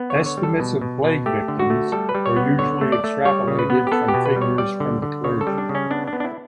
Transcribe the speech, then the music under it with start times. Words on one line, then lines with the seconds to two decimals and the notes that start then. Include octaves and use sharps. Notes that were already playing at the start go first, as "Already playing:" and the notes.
Estimates of plague victims are usually extrapolated from figures from the clergy.
Already playing: B3
0.10 C#5
0.16 D3
0.26 C#5
0.37 G3
0.43 A4
0.60 B2
0.81 B2
1.04 B2
1.26 A3 G4
1.48 D3
1.59 F#4
1.70 A3
1.92 G3 A4
2.09 B4
2.15 G3
2.26 C#5
2.37 B3
2.59 D3 C#5
2.81 A3
2.92 D5
3.04 A3
3.25 G3 C#5
3.48 C#3
3.59 B4
3.70 B3
3.87 G4
3.92 B3 A4
4.08 G4
4.14 B2
4.26 B4
4.36 G3
4.42 C#5
4.58 G3 D5
4.80 D3
5.02 D3
5.24 C#3 C#5
5.41 A4
5.47 G3
5.58 D4
5.69 C#3
5.75 C#4
5.91 B3 D4
6.07 D4
6.13 B3
6.20 D4
6.24 E4